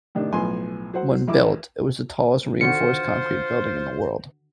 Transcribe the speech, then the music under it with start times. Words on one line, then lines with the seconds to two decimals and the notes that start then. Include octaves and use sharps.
When built, it was the tallest reinforced concrete building in the world.
0.15 A2 C3 D#3 D4
0.32 B1 A2 F3 B3 G#5 C6
0.94 F#3 C5 F#5
1.27 A1 E4 D6
2.61 D3 D#3 F4 F#4 C5 C#7